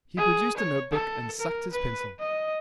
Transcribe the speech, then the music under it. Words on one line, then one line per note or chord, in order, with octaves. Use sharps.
He produced a notebook and sucked his pencil.
G#4
C#5
A4
A#4
B4
D#5